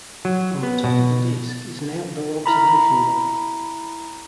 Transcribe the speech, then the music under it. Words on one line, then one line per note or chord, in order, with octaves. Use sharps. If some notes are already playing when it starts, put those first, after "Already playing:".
On the top of the disk is an outdoor observation deck.
F#3
B3
B2
E4 A#5 B5